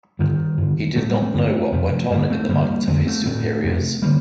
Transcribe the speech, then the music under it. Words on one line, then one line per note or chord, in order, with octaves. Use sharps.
He did not know what went on in the minds of his superiors.
G2 D3 D#3 G3
G2 D3
A2 A3 C4
G3 A#3
A3 C4
G2 D3 A3 C4
F2 C3 F3 A3
G2 D3 G3 A#3
A3 C4
G2 D3 G3 A#3
F2 D3 A3 C4
A3 C4
A2 A3 C4
F2 C3
D3 G3 A#3